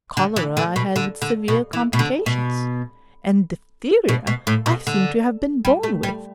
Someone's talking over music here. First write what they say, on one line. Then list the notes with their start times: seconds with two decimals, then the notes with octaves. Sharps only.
Cholera I had, with severe complications; and diphtheria I seemed to have been born with.
0.17 D3
0.36 E3
0.57 D3
0.76 B2
0.96 D3
1.22 D3
1.48 B2
1.73 E3
1.93 B2
1.99 D3
2.26 B2
4.09 B2
4.27 B2
4.47 A2
4.66 B2
4.87 D3
5.65 G3
5.83 A3
6.03 G3